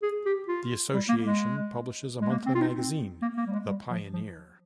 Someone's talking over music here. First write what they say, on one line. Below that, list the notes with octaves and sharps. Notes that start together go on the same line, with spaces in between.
The association publishes a monthly magazine, "The Pioneer".
G#4
G4
F4
G3
A#3
G#3
G#3
A#3
C4
F4
D#4
C4
A#3
A#3
G3
G#3
G3
F3
F3